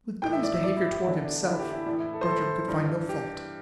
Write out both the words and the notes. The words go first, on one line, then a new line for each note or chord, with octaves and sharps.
With Billy's behavior toward himself, Bertram could find no fault.
A2 E3 G5
E5
D5
E5
D5
E4
G4
E2 D3 E4
D4
E4
G4
E4
A2 E3 D4
E4
A4
C5
A4
G2 E3
G4